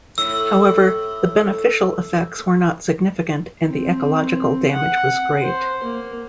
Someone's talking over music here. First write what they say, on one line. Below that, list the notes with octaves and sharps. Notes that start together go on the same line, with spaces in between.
However, the beneficial effects were not significant and the ecological damage was great.
A2 E6
C4
F#5
C5
A#3